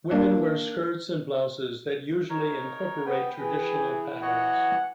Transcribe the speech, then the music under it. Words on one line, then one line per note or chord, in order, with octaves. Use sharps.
Women wear skirts and blouses that usually incorporate traditional patterns.
A#3 D4
D#4 A#4 C#5
B3 B4 G5
E3 G#4
F#4 C#5 D#5 F#5